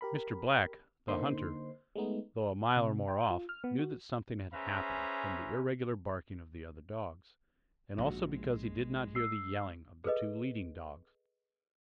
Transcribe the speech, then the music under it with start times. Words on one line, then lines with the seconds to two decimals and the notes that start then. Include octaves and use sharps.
Mr. Black, the hunter, though a mile or more off, knew that something had happened from the irregular barking of the other dogs, and also because he did not hear the yelling of the two leading dogs.
0.01 G4 A#4 B5
1.08 D3 A#3 D#4 C5 C6
1.95 G#3 A3 B3 D#4
2.77 C3
3.08 G5
3.30 F4
3.49 F6
3.64 B3
3.79 F#4
4.53 C#4 G#4 B4 C5 E5 A#5
7.98 A#1 G#2 F#4
8.31 G#3
9.15 E6 C7
10.04 G#4 A4 B4 D#5